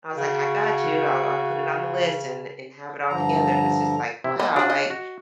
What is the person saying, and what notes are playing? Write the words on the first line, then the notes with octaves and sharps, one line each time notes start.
I was like, “I got you. I'll I'll put it on the list and and have it all together,” and it's just like, "Wow," like,
C#3 F#4
G2 D3 F3 A#5
C3 E4
A#3 B3 D#5 E5
F#3 D4 F4 F#4
D#5
F#4